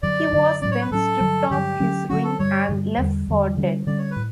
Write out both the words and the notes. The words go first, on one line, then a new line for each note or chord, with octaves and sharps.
He was then stripped of his ring and left for dead.
F#2 D3 F#3 D5
F#2 D3 F#3
A2 F#3 C#4 D5
C#5
B4
A2 F#3 C#4 A4
G2 D3 F#3
G2 D3 F#3 G4
D3 F#3 C#4
D3 F#3 C#4 F#4
A4
G2 D3 G3 C#5
G2 D3 G3
E2 D3 G3
E2 D3 G3
D3 G3 C#4
D3 G3 C#4 D5
C#5
B4
A2